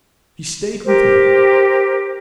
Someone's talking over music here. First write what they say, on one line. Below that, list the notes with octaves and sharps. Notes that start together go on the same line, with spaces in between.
She stayed with me.
G4 A#4 C5